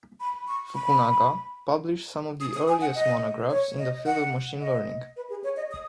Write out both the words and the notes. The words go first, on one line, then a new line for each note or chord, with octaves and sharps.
Fukunaga published some of the earliest monographs in the field of machine learning.
B5
C#6
B5
D#6
D#6
G#5
F#5
D#5
C#5
D#5
F#5
D#5
B4
G#4
C#5
D#5
D#6